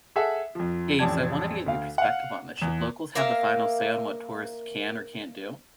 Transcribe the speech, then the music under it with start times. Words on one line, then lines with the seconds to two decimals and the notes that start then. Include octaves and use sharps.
Hey, so I wanted to get your perspective on this. Should locals have the final say on what tourists can or can't do?
0.16 G#4 A4 E5 F#5
0.55 F2 F3
0.99 A1 F2 G4 D5 A5 G#6
1.66 D2 F5
1.98 F5 F#5
2.57 E2 E7
3.15 A#3 A#4 E5 F5